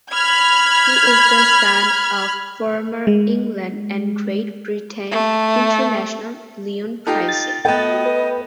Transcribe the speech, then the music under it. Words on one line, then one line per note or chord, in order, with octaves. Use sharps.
He is the son of former England and Great Britain international Leon Pryce.
B5 F6 G#6
G#3
A3
D#4 F4 G4 A4
A6
A3 B3 D#5 G5
B4